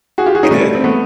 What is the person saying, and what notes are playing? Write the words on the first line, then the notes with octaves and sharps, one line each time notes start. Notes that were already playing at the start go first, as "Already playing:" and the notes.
He did.
F#4 G#4
F4 G4
F#4 G#4
C#4 D#4
G3 A3
C4
A3 B3